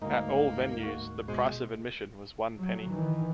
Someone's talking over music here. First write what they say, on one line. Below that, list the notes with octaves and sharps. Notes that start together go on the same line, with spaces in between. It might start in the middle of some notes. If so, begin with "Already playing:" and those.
At all venues the price of admission was one penny.
D2 G#2 A#3 D#4
F#4
B2 G#3 C5
F#3
D#3 E3